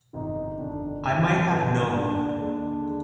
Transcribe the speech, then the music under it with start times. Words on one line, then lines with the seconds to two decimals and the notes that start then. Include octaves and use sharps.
I might have known.
0.13 G1 F2 C3 D#3 D#4
0.59 G1 F2 C3 D#3 D4
1.03 G1 F2 C3 D#3 C4
1.48 G1 F2 C3 D#3 B3
1.92 D#2 D3 G#3 D4
2.38 D#2 D3 G#3 D4
2.85 D3 G#3